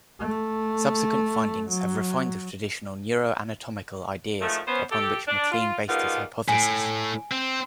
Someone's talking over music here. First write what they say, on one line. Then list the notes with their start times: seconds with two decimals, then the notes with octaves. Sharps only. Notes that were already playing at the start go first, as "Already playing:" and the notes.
Subsequent findings have refined the traditional neuroanatomical ideas upon which MacLean based his hypothesis.
0.20 A3
1.69 F#3
4.41 A2 D#3 F3 G#3 A3
4.68 B3 C#4 C5
4.91 G4 A4
5.28 D4
5.52 F4
5.89 G3 G#3 A#3 B3 D#4 F4
6.48 A2 G#5 D7
7.32 C4